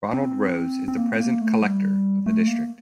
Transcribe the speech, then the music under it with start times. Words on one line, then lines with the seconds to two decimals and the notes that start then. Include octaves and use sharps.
Ronald Rose is the present collector of the District.
0.13 C4
0.88 C4
0.98 A#3
1.11 A3
1.20 A#3
1.41 A3
1.62 G3
2.26 A3
2.47 A#3